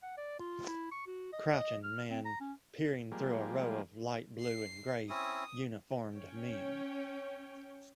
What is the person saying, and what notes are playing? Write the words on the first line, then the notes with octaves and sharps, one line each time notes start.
Crouching man peering through a row of light blue and gray uniformed men.
F#5
D5
F4
E4
C#6
F#4
D#5
D#5
F6
C4
A#5
C#4
F3 G3 G#3 A#3
C7
C4 C#4 E4 D#6
C#4 C#5 G5